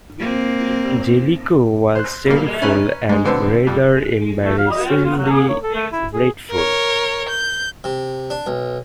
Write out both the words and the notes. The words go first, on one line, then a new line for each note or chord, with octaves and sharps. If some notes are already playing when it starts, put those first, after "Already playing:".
Jellicoe was cheerful, and rather embarrassingly grateful.
A#3 C4
C5 F#6
B2 G3 A#3
C#4 B4 A#5
G#2 G#3
B2 D3 B3 C4
F2 G3
A3
F5
D#5
C#4
F4
F#3
G#4
C#5
A4
A3
E4
G#4
A#4 C#5
G6
C3
D4
B1